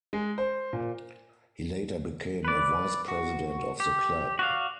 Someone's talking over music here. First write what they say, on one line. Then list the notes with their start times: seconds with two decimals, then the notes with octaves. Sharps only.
He later became a Vice-President of the Club.
0.13 G#3
0.38 C5
0.73 A#2
2.45 B4 D5
3.08 F#4
3.80 G4
4.39 F#4 D5 F5